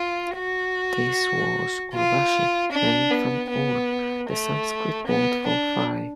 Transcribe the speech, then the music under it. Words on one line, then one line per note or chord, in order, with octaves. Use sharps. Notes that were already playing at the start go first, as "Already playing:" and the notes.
This was Urvashi, named from ur, the Sanskrit word for thigh.
Already playing: F4
F#4
F4
D4
B3
B3
A3
B3
D4